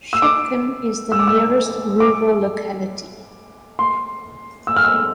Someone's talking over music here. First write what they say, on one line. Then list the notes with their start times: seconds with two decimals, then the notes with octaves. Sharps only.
Shchepkin is the nearest rural locality.
0.13 E6
0.22 D6
1.12 E6
1.19 D6
1.27 E6
2.00 D6
3.79 C6
4.67 E6
4.76 F6
4.85 E6